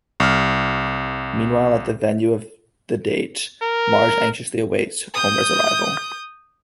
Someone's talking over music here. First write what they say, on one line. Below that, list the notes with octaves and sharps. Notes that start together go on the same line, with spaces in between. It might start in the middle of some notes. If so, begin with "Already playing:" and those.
Meanwhile, at the venue of the date, Marge anxiously awaits Homer's arrival.
C2 F6
A#4
D#6 G6